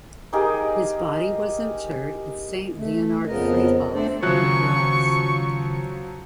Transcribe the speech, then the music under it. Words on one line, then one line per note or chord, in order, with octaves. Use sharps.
His body was interred at Saint Leonhard-Friedhof in Graz.
D#4 G4 G#4 A#4
A3
F2 C#3 F3 B3 A#4 D#5
A3 C4 D4 A4 C5 D5
D#2 C#3 F3 F#3 C#6 F#6